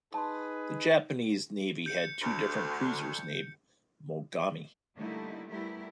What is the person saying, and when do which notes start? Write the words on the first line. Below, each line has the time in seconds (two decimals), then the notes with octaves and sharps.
The Japanese Navy had two different cruisers named "Mogami".
0.14 D#4 G#4 B4 A5 C6
1.86 G6 C#7
2.21 D2
4.96 D3 G3 A3 A#3 D#4 E4
5.48 G3 A3 B3 E4 G4 A#4